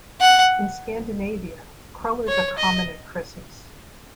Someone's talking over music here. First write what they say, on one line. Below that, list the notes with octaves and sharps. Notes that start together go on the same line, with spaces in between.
In Scandinavia crullers are common at Christmas.
F#5
C#5
D#5